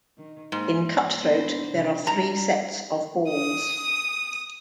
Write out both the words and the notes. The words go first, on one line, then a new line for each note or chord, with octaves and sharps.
In cutthroat, there are three sets of balls.
D#3
G#2 A#3
B3 D4 C5
C3
G3 A#5
D#6